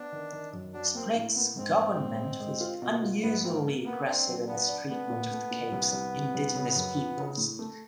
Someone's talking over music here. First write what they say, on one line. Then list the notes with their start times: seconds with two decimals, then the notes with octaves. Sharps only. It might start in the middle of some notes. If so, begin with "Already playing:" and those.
Sprigg's government was unusually aggressive in its treatment of the Cape's indigenous peoples.
Already playing: B3 D4
0.12 D#3
0.32 D#3
0.53 F#2
0.73 F#3 D4
0.95 A#3 C4
1.16 A2
1.36 A#3 B3
1.57 G#2 C4
1.78 G#2
1.99 G#2
2.20 G#3
2.40 G#3
2.61 F4
2.82 B2
3.03 F4
3.23 G#2 B3
3.44 A#3 C4
3.64 A#3
3.85 A#3 B3
4.06 C4 D4
4.27 F#3
4.48 B3 D4
4.68 D4
4.89 A3 B3
5.10 A#2
5.31 A3
5.51 A#2
5.72 C2
5.92 C2
6.14 C3
6.34 C2
6.55 C#3
6.76 F#2
6.97 F3
7.17 C#3
7.38 A2
7.59 A3